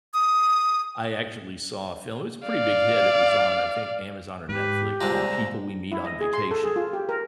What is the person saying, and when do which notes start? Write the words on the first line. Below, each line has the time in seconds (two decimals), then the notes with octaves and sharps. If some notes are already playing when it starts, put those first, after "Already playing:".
I actually saw a film it was a pretty big hit, it was on, I think, Amazon or Netflix, called People We Meet on Vacation,
0.14 D#6
2.47 D5 F5
4.49 G#2 G4 B4
5.01 C2 D3 G#3 F4 A#5
5.92 E4
6.04 D#5
6.21 G#4
6.33 C6
6.51 A4
6.63 G#4
6.76 F4
6.93 G4
7.09 A#4